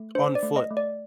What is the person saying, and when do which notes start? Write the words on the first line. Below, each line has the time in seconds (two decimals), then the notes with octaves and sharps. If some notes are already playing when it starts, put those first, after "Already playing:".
On foot,
Already playing: A3
0.15 D4 C5
0.35 D5
0.43 A3
0.56 D#5
0.71 A3
0.77 D5